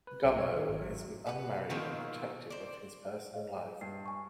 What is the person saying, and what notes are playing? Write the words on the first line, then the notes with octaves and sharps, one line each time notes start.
Gummow is unmarried and protective of his personal life.
B4
B1
C#5
D#3
G#1
F#3
B4 F#5
B2 D#3 F3 G#3 A#3 C4
C5 D5
C#5 D#5 F5
G2 C7
G#5 C#6